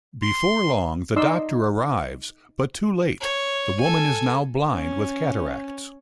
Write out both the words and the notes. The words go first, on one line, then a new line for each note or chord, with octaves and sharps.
Before long, the doctor arrives, but too late-the woman is now blind with cataracts.
C6
D#4 D5 C6 E6
C#5
A4 G#5
C#4